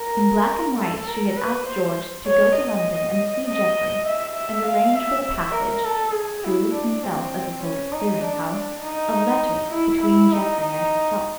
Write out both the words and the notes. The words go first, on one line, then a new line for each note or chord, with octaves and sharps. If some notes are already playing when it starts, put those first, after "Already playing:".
In black and white she had asked George to go to London and see Geoffrey and arrange for the passage--through himself as a sort of clearing-house--of letters between Geoffrey and herself.
Already playing: A#4
A4
A#4
B4
C5
C#5
D#5
D#5
E5
E5
F5
E5
A#4
A4
G#4
E4
D4
C4
C#4
D#4
D4
D#4
E4
E4
D#4
D#4